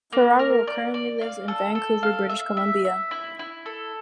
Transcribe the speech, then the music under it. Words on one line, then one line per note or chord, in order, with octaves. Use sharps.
Ferraro currently lives in Vancouver, British Columbia.
A#3
A#4
D5
D5
F5
A4
A4
F5
E5
E5
E5
E4
E4
A4